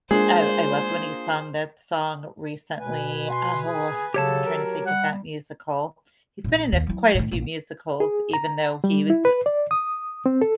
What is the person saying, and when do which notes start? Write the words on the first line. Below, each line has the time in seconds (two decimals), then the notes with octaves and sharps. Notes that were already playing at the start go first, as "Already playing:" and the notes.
oh, I loved when he sung that song recently, oh, I'm trying to think of that musical. He's been in a f quite a few musicals, even though he was
0.11 G#3 A#3 D4 F4 G#4 C5
2.80 B2 B4 G#5
3.31 C6
3.66 G#4
4.14 C#3 F#3 G4 A4 C#5 A5
4.46 A#4
4.86 G3 F#5
6.44 A#1 C4
6.73 D#2
6.87 F#3 E4
7.15 A2 D#3
7.31 A#1 A#3
8.00 G#4
8.33 A#5
8.84 G3
9.10 E4
9.25 B4
9.46 D5
9.71 D#6
10.26 C4
10.42 A4